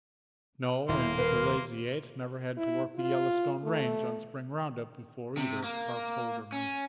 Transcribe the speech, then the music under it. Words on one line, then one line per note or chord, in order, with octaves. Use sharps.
"No, and the Lazy Eight never had to work the Yellowstone range on spring roundup before either," Park told her meaningly.
D#1 A#3 E4 C6
A#4 B4
E4
F4
A3
C3
A#3
C#4